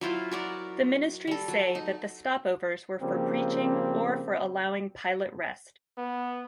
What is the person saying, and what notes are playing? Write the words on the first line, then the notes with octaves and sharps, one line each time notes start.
The ministries say that the stopovers were for preaching or for allowing pilot rest.
F#3 E4 F4 C5
F#4 A#4 D5
G3 A4
F#3
D#4
C#3 F3 G3 A#3 C4
B3